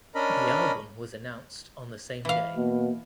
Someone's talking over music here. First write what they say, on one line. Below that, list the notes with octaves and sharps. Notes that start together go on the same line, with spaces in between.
The album was announced on the same day.
C#4 D4 A#4 D#5 B5
E3 F5
B2 A#3